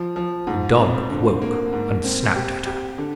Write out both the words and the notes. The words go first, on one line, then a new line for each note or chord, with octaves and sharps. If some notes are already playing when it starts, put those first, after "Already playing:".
The dog awoke, and snapped at her.
Already playing: F3
F3
G#2
C4
D3
A#3
G#2
C4
G4
G4
D3